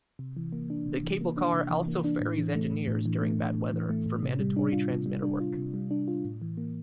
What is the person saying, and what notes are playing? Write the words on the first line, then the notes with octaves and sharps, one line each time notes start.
The cable car also ferries engineers during bad weather, for mandatory transmitter work.
C3
E3
A#3
D4
C3
E3
A#3
D4
C3
E3
A#3
D4
A2
E3
A3
A2
A2
E3
A3
A2
A2
E3
A3
A2
C3
G3
D4
F4
C3
G3
D4
F4
C3
G3
D4
F4
A2
E3
A#3